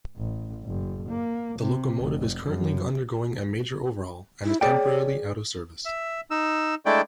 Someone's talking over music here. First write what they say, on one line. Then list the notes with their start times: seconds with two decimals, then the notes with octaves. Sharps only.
The locomotive is currently undergoing a major overhaul and is temporarily out of service.
0.17 A1
0.65 F#1
1.09 A#3
1.60 C3
1.99 F1
2.45 F#2
4.45 E4
4.61 G#4 C#5 D5 G5
5.85 E5
6.31 D#4 E6
6.86 G#3 A3 D4 E4 D5 G5